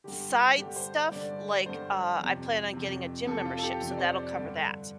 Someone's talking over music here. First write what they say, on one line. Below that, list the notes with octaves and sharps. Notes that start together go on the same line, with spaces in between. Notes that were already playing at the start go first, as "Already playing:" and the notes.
side stuff, like, uh, I plan on getting a gym membership, so, that'll cover that,
G2 D3 G4
G2 D3 G4
C5
G2 D3 D5
G2 D3 C5
F2 C3
F2 C3
F2 C3 A4
F4
A4
G4
F2 C3
D5
C5
D5
G2 D3